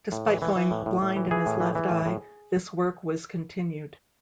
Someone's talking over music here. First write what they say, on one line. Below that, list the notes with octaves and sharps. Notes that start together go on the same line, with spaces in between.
Despite going blind in his left eye, this work was continued.
A2
E3
E3
E3
A2
A2
A2
E3
E3 G#4
A2
E3
E3
A2
A2